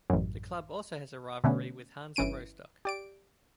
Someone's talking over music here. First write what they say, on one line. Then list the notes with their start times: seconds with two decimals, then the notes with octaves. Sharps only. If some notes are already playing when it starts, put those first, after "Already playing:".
The club also has a rivalry with Hansa Rostock.
0.10 A1 F#2
1.44 B2 D3 A3 B3 C#4
2.16 G1 E3 C#4 D7 D#7
2.85 G4 D5 D7